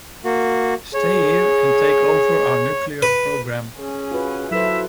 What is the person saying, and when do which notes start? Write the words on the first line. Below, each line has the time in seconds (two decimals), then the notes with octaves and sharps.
Stay here and take over our nuclear programme.
0.25 A#3 F#4
0.94 G#4 C#5
3.02 B4
3.78 C#4 G#4
4.11 F4 F#4 B4
4.51 F#3 E4 A4 B4 C5 E5